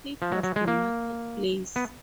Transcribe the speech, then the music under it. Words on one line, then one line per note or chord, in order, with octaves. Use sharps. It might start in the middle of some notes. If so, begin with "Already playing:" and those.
It was a market place.
F3
F#3
F#3
G#3
A#3
B3